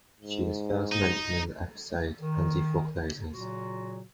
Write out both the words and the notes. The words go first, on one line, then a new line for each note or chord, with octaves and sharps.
She is first mentioned in the episode "Andy Forecloses".
G#2
D#4
D#3
A#2 C#3 F#3 F4 F#4